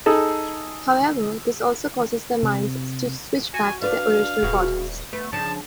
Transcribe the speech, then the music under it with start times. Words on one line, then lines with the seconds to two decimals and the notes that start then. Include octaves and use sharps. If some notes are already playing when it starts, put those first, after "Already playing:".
However, this also causes their minds to switch back to their original bodies.
0.06 D#4 G#4 A4
2.43 C3
3.54 F#4 G#5
3.82 D4 B4 D5 F5
4.43 D#1 B2 F#4 G#4
5.13 A3 B3
5.33 C#3 F3 D4 A5